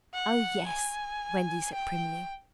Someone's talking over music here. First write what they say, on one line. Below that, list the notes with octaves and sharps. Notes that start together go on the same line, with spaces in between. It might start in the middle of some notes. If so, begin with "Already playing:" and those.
'Oh yes,' Wendy said primly.
F#5
G#5
G5